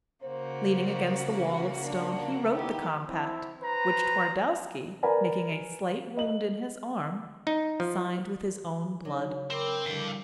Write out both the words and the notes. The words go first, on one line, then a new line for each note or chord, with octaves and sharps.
Leaning against the wall of stone he wrote the compact, which Twardowski, making a slight wound in his arm, signed with his own blood.
C#3 A#3 F#4 C5
D4
D#3 B3 E4 G4
C4 E4
B4 C5 A#5
A#4 B4 D5 G#5 A#5 B5
D#5 F#7
D#4
F3
C#3 F#3 D4 D#4
C4 A#4 B5 D6
D3 E3 F3 G3 D5 F5 G5